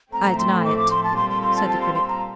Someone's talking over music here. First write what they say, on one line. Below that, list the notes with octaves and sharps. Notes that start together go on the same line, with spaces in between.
"I deny it," said the Critic.
A2 F3 A3 C4 A#5
C6
D6
D6
C6
A5
A#2 G3 C4 F4 A4 C6
C6
C6
A5
A5
C6
C6
A#5